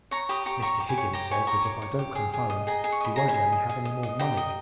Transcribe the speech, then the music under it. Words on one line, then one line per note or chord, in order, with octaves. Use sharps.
'Mr. Higgins says that if I don't come home, he won't let me have any more money.
C#5 A#5 C#6
G4 B5 D#6
G4 A#5 C#6
C#5 A#5 C#6
G4
G#5 B5
C#5
G4 G5 A#5
C#5 G#5 B5
G4 A#5 C#6
C#5
C#5
G4
G#4
G#4
D#5
G#4 G5 A#5
G#4
C#6
D#5 B5
G#4 A#5
G#5 B5
G#4
D#5
G#4
D#5
D#5
G4 G5 A#5
D#5